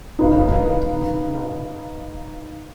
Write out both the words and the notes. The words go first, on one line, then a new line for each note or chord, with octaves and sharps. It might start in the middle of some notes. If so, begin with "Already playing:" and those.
Her fate is unknown.
D#4 B4 F5